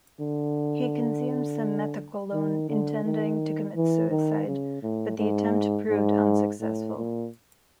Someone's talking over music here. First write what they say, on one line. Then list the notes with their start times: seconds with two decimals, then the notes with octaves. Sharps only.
He consumed some methaqualone, intending to commit suicide, but the attempt proved unsuccessful.
0.20 D3
2.33 D#3
2.69 D3
3.05 D#3
3.76 E3
4.11 D#3
4.47 C#3
4.83 A2
5.18 G#2
5.90 G#2
6.61 A2
6.96 A#2